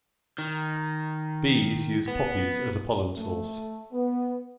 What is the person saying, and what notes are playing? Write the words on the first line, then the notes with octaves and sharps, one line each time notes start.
Bees use poppies as a pollen source.
D#3
B3
A3
B3